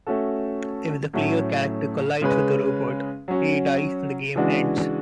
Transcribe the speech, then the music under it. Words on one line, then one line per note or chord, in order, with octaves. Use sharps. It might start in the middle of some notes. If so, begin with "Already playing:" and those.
If the player character collides with a robot, he dies and the game ends.
A3 C#4 F#4 A4
A2 F#3 A3 C#4
C#3 G#3 C#4 G#4 B4
F#3 C#4 F#4
C#3 E3 G#3 D4 F#4